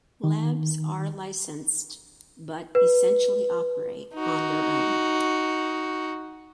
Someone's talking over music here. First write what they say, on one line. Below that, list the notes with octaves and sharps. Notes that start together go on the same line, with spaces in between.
Labs are licensed but essentially operate on their own.
D#3
B4
D#4 F#4